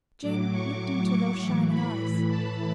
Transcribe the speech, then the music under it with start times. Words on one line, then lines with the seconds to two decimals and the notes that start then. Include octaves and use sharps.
Jane looked into those shining eyes.
0.22 A2 F#3 D6
0.51 C#6
1.38 A2 E3
1.68 B5
2.27 A5